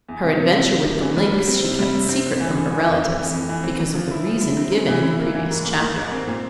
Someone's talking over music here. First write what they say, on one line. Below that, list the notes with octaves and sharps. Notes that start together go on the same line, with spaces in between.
Her adventure with the lynx she kept secret from her relatives, because of the reason given in the previous chapter.
E2
C3
C3
C3
C3
C3
E3
G3
G3
C4
C3
G3
C3
C4
C3
E3
E3
E3
F2
F2
E3
F2
E3
C4
C4
F3
E4
F3
E4
C4
C#3
E3
E4
A#3
E3
G#2
A#3
A#3
G#2
C4
A#2